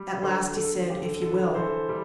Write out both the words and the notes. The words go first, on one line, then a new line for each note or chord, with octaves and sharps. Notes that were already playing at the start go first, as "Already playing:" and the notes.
At last he said, "If you will."
Already playing: G3
D3 A4 C5
D3 A4
D3 G4
A4
D3 A4
B4
A4
E3 A4 C5
G3